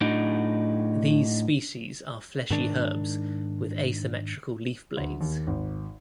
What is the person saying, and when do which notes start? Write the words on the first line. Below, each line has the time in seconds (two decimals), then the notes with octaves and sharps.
These species are fleshy herbs, with asymmetrical leaf blades.
0.01 A2 D4 D#4 F#4
2.50 G#2 D#3 D4
4.97 D2
5.21 D#2
5.47 G#1